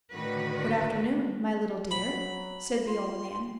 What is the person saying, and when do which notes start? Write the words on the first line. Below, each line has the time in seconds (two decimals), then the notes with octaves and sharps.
'Good afternoon, my little dear,' said the old man.
0.12 A2 D3 D#3 F#4 B4
1.91 F#3 B5
2.87 F4 C6